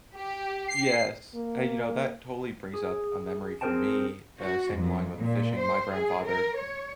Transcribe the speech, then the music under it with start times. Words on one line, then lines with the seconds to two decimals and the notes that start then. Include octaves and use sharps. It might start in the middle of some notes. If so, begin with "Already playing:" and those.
Yes. And you know, that totally brings up a memory for me, uh, same along with the fishing, my grandfather,
0.15 G4
0.68 C7
1.35 A#3
2.74 G#4
3.61 C4 G#4 A#4 C5 G5 A5
4.40 F#4
4.74 F2
5.18 A#2
5.58 C5
5.93 G#4
6.25 A#4
6.57 C#5